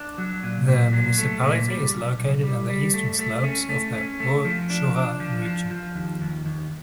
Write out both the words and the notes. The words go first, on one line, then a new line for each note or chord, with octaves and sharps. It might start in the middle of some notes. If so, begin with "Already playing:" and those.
The municipality is located on the eastern slopes of the Haut-Jorat region.
Already playing: D4
F#3
A#2
A#2
F#3
A3
A#2
G3
B1
B1
G3
G3
A3
A3
C#4
A3
C#4
A3
F3
D4
D4
F3
F3
F3
D#2
D#2
D#2